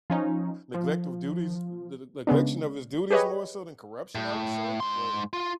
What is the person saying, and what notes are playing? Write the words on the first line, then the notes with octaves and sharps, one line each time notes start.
Neglect of duties the the neglection of his duties more so than corruption, I would say? But
F3 C#4 D#4
F3
C#3 G#3 B3 D4
G4 G#4 B4 C#5 D#5
A2
G#2 C6
F4